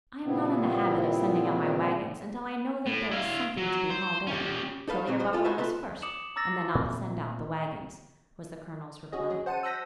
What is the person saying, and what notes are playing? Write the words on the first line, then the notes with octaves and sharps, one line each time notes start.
"I am not in the habit of sending out my wagons until I know that there is something to be hauled in; kill your buffaloes first, and then I'll send out the wagons," was the Colonel's reply.
A#2 C#3 G3 B3 C4 E4
A2
E4 F5
F#3
C5
G3 C#4
D#4 A4 B4 F5
A#2 F#3 C4
B3 B4 C5
F4 A4
D#4 F#4 G#4 A4 B4 E5
F4 A4 B4 E5
D6 D#6 C#7 E7 F#7
A#5 D6 E6 A6 A#6
A#2 A3 A#3 C4
C#4 F#4 G#4 D#5
F#3 G#4
C5 F#5 A5 C#7 D#7
E6 F#6 G6 A#6 B6 D#7